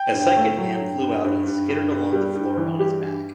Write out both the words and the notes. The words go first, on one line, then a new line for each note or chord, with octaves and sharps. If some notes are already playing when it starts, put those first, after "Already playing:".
A second man flew out and skittered along the floor on his back.
Already playing: G5
G2
A3
F#3
G2
G2
G2
G2
G2
G2
G3
G2
E3
G3 G4
G2